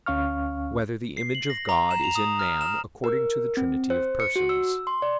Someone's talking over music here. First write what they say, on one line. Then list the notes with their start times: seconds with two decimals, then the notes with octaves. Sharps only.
Whether the Image of God Is in Man According to the Trinity of Persons?
0.06 D2 C#4 F5 C#6 F6
1.17 C7
1.35 F#7
1.50 A#6
1.69 A#5
1.91 E7
2.04 F7
2.15 D#6
2.39 F6
2.61 E7
3.04 A#4
3.57 C4
3.90 C5
4.20 C#7
4.36 F#4
4.49 E6
4.87 C6
5.02 D5